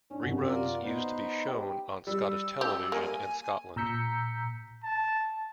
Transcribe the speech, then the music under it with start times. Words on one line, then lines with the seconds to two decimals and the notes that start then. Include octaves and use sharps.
Reruns used to be shown on Scottish Television in Scotland.
0.10 C#4 D4
0.23 F#2 C3 F#4
0.43 F4 A#4 D5
0.83 B3 D#4 B4 C5
1.47 G4
2.07 G3 E6
2.61 G4
2.92 A#3 G#5
3.76 A#2 A#5 E6 G6 B6 C#7
4.84 A5